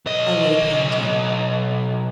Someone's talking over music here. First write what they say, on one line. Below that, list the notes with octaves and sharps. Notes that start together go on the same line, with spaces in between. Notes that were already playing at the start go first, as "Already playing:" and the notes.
I lay panting.
B1 D#5